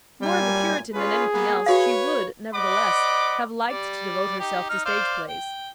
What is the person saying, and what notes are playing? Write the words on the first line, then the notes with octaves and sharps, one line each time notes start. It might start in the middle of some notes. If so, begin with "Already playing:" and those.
More of a Puritan than anything else, she would, nevertheless, have liked to devote herself to stage plays.
F#2 A#2 G3 G#5
C#4 F4 G#4 B4
A#3 B3
F#4 B4 C#5 F5
C5 D5 D#5 F#5 B5 D6
G3 D5
D#4 G4
D#4 F6
C5 D5 F5
G5